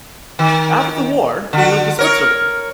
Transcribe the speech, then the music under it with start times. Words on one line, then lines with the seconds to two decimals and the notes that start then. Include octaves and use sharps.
After the war, he moved to Switzerland.
0.39 D#3
1.53 D3 F#4
1.99 A#4 C#5